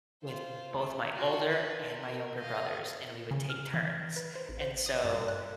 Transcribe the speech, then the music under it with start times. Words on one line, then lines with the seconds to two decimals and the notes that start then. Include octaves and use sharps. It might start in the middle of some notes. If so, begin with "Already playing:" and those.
with, both, my older and my younger brothers," and we would take turns, and, so,
0.23 F4 C5
0.73 A3
1.12 F4 F#4
1.48 B4
1.89 A#4
2.38 D#5 F5
3.31 C#3
3.50 F6
3.74 E3
4.16 B4
4.35 C5
4.49 A1
4.61 C5
4.86 D#6
5.04 G2
5.28 F#6